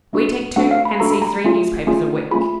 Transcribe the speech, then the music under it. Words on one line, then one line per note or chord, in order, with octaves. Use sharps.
We take two and see three newspapers a week.
A3 D4 F#4 A4
A3 D4 F#4 A4 F#5
F5
B5
A3 D4 F#4 A4 A#5
B5
A#5
A3 C#4 F4 G#4
A3 C#4 F4 G#4
A3 C#4 F4 G#4 B5